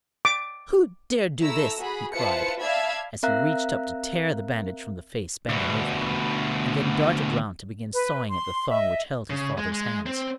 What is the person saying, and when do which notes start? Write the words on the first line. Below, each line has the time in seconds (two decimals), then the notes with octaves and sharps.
"Who dared do this?" he cried, as he reached up to tear the bandage from the face bending over him, and then darted round to begin sawing at the thong which held his father's hands.
0.25 D6
1.41 A3 E4 A#5 E6
1.79 F#4 G#4 B5
2.14 E4 F4 B4 C5 A5 C#7
2.61 D5 E5 F5 A5 B5 G#6
3.23 C4 A#4 E5 F5 A#5 F#6
5.49 D2 B2
7.93 B4
8.29 C6
8.70 D#5 E5
9.30 C#3
9.58 G#3
9.72 G#3
10.06 C4